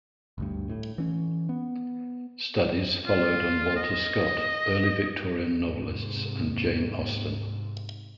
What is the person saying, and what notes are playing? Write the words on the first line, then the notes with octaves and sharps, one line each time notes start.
Studies followed on Walter Scott, early Victorian novelists and Jane Austen.
G1 D2 G2
A2
E3 C#4
B3
F4
D#5
G#2 C3